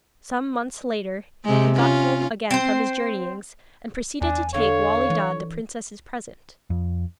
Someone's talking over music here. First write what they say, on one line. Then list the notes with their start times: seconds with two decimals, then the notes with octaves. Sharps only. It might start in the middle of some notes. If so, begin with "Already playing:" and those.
Some months later he got home again from his journeyings, and proceeded to take Wali Dad the princess's present.
1.45 C3 G#3
1.76 C#4 F4
2.51 C4 C5
4.21 E2 D4 G#5
4.54 D3 C#5 F5
5.10 E3
6.70 F2